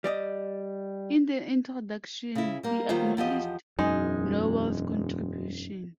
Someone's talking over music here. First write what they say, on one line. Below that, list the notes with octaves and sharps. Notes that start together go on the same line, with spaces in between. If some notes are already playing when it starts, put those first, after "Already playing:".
In the introduction he acknowledged Nowell's contribution.
G3 D5 D#5
C#3 E4
G3 A#3
D#3 F#3 G3 A#3 F4 C5
E2 F3 G4 D#5
E1 F#2 G#3 D#4